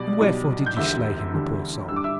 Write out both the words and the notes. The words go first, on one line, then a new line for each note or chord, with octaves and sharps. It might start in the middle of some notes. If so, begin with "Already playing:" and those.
And wherefore did ye slay him, the poor soul?
Already playing: B1 B2 G3 D5
B1 B2 G3
G6
E1 D2 D3 G3 D4 E5 E6
E1 D2 D3 G3 D4
G2 G3 D4 E6
D6
E5 E6